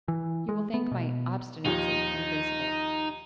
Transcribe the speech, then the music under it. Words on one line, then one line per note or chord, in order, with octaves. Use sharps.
You will think my obstinacy invincible.
E3
G#3
B3
B2
D#2 F3 D#4